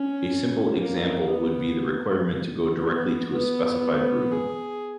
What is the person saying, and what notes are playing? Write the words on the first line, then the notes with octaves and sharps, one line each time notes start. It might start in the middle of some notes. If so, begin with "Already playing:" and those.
A simple example would be the requirement to go directly to a specified room.
Already playing: C#4
A#3
B3
B3
B3
G#4